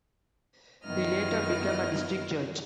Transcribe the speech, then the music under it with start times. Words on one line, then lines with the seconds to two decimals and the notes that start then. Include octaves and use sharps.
He later became a district judge.
0.84 F#2 D#3 B3 E4 D#5 F6